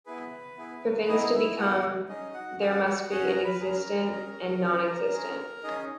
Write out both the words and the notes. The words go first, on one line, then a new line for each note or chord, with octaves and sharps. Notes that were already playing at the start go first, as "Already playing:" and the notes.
For things to become, there must be an existent and a non-existent.
B3 E4 G#4 B4
B3 E4 G#4
B3 D#4 E4 G#4 D#5
E4 E5
B3 E4 F#4 G#4 F#5
C#4 D#4 G#4 D#5
F#4 F#5
C#4 F#4 G#4 F#5
F#4 F#5
C#4 F#4 G#4 F#5
A#4 A#5
B4 B5
C#4 G#4 A#4 A#5
C#4 G#4
C#4 G#4
C#4 G#4
C#4 D#4 G#4 D#5